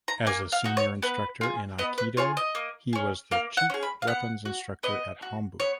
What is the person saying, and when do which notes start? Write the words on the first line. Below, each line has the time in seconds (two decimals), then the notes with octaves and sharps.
As a senior instructor in Aikido he was the Chief Weapons Instructor at Hombu.
0.08 A#5
0.27 A#3 G#5
0.52 F5
0.64 D#4 F#4
0.77 C#5
1.02 B3 B4
1.41 F4 G#4
1.78 B3 D#5
1.98 B4
2.17 F4 G#4 C#5
2.37 D#5
2.55 A#3
2.93 C#4 G#4
3.31 A#3 F5
3.57 F#5
3.70 C#4 G#4
3.83 B5
4.02 F5
4.07 B3 F#5
4.45 F#4
4.83 B3 D#5
5.22 F#4
5.60 B3 C#5